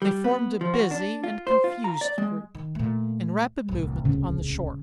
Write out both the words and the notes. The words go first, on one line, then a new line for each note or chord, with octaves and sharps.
They formed a busy and confused group, in rapid movement on the shore.
G3
B3
F3
F#4
D4
F4
C5
F4
A#5
D5
G#3
D#3
A#2 A3
D1 C2
C#3